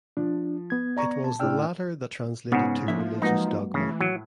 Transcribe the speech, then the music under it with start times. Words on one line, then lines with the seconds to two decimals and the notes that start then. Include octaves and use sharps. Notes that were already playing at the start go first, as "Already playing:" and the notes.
It was the latter that translated to religious dogma.
0.17 F3 D4
0.70 B3 G#6
0.97 D5 A#5 C#6
1.24 A5
1.40 A2 D4 G5 E6 F6
2.52 G#2 C#3 B3 F#5
2.88 F3 A#3 D4 E5
3.22 F#3 G#3 A#3 D#4 B4 F#5
3.74 C#3 E3 A3
4.01 A2 F#3